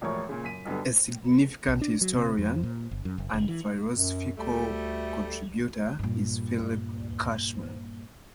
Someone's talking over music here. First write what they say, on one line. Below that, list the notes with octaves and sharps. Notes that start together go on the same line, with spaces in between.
A significant historian and philosophical contributor is Philip Cushman.
E1 A#1 A2 A#4 C#5 C#6
A#2 C#3
F#2 B6 D#7
B1 G2 D3 B3
B1
D4
F#3
C3
F2
A#2
G1
F#2
F#1
F#1
E3
F#2
D2 G3 A3
G2 A#2